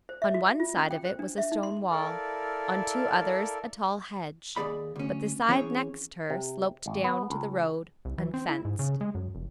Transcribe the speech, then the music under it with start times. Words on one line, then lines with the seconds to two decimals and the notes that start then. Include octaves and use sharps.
On one side of it was a stone wall, on two others a tall hedge, but the side next her sloped down to the road, unfenced.
0.09 C5
0.22 E5
0.34 F#4
0.60 F4
0.77 C#4
0.91 G5
1.05 C5
1.19 D4
1.38 E5
1.52 D#4
1.63 C6
1.91 E4 A4 A#4 D5 F5
4.56 D#2 E3 G#4 D5 B5
4.96 D2 C#4
5.49 E3 C4 C#4 G#4 C#5
6.30 C3
6.86 G#1
7.04 B3
7.30 C#2
8.05 C2
8.18 E3
8.34 C4
8.49 E4
8.65 G#2
8.79 C#3
9.01 G#3
9.15 F#2
9.35 F1